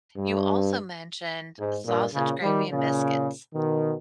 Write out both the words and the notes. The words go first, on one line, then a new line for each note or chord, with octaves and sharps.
You also mentioned, sausage gravy and biscuits.
G2
G#2
G2 A#2
A#2 C#3
D#3 G3
A#2 C#3
B2 D#3